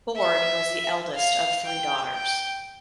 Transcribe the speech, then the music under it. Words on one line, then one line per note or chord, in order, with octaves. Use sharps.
Ford was the eldest of three daughters.
E5
F5
G5
G5